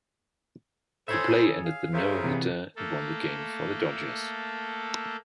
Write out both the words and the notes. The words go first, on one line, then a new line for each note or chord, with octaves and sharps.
The play ended the no-hitter and won the game for the Dodgers.
C#3 G#4 A4 C5 C#5 E5 B5 C6
F5
A#2 C#3 A#4 C5 E5
C3 E3 B3
A3 A#3 A4